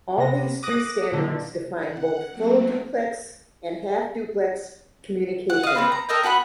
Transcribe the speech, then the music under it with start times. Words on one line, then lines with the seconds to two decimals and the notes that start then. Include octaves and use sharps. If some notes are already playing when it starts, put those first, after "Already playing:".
All these three standards define both full-duplex and half-duplex communication.
0.18 C3 B3 A#6
0.63 D6 D#6 F#6 A#6
1.12 A#2 D3 D#3 F3 F#3
1.87 F#5
2.31 F#3 A3 A#3 C4
5.50 F#5
5.63 D#5 F5
5.75 B3 C4 B4
5.92 A#5
6.09 A4 A#4 D#5 G5
6.23 B3 F#4 F#5 B5